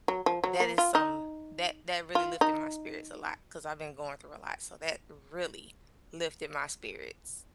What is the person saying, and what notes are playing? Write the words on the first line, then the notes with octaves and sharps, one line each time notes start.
That is some that that really lifted my spirits a lot, 'cause I've been going through a lot, so that really lifted my spirits.
F#3
F3
F#3
A#3
F4
D#4
F4
D#4